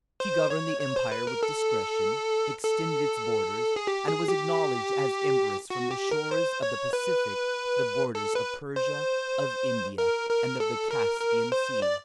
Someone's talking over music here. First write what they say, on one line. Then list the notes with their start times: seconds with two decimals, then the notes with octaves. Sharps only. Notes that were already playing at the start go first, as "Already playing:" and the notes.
She "governed the empire with discretion," extended its borders, and was acknowledged as empress from the shores of the Pacific to the borders of Persia, of India, and of the Caspian Sea.
0.20 C5
0.50 C#5
0.81 C#5
0.96 C5
1.12 B4
1.27 A#4
1.43 A4
2.65 A4
3.76 G#4
3.87 G4
4.08 G#4
4.28 G4
5.70 F#4
5.91 G4
6.11 A#4
6.31 C5
6.62 C#5
6.93 B4
8.15 A4
8.35 B4
8.76 C5
9.98 A#4
10.30 A#4
10.60 A4
10.91 A#4
11.21 A#4
11.52 C5
11.82 D5